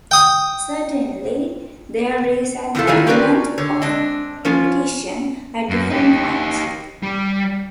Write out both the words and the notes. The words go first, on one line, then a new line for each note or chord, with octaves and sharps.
Certainly there is an element of repetition at different points.
G5 D#6
E2 A2 C3 D#3 F4 A4
G#2 D#3 G3 E4 F4 G#5
C4 C#4 G4 A#4 B4 D5
D3 C#5
G#3 C4 D4 D#5
F3 C#4 F4
F#2
D#4 G4
G3